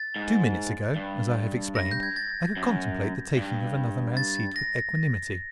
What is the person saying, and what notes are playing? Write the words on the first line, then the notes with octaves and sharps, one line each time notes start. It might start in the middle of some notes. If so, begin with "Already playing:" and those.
Two minutes ago, as I have explained, I could contemplate the taking of another man's seat with equanimity.
Already playing: A6
G#2
G2
A#6
G6
G#6
A6
F#2
G2
A6
A#6